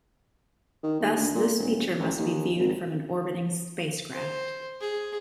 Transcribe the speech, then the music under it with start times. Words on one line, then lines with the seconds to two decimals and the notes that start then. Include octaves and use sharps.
Thus this feature must be viewed from an orbiting spacecraft.
0.83 D#3
1.00 D#2
1.17 D2
1.35 A#2
1.58 E1
2.00 A1
2.18 D#2
2.58 G#1
4.12 C5
4.81 G#4